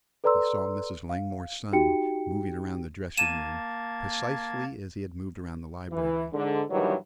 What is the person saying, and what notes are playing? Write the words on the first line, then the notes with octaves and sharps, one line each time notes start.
He saw Mrs. Langmore's son moving around the dressing room precisely as he had moved around the library.
A4 B4 D5 A#5 C6 E6
F5
D#4 F#4 G4 G5 C#7
A#3 A5 G#6 D#7 E7
E3
G#2 D3
G2 A#2 D#3 E3 F#3 G3